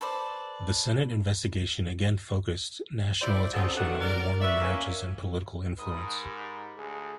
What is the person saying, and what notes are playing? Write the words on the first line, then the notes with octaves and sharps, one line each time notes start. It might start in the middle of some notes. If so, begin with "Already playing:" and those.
The Senate investigation again focused national attention on Mormon marriages and political influence.
A4 B4 C5 D5
G3 E4 C5 D5
C4 C#4 D#4 F#4 G4 A4
B2 D3 D#3 D4 F#4 F#5
A#4 D5
F#4 B4 D5 E5
A#3 C#4
G#2 A#4 B5 D#6
G4
D2 G#4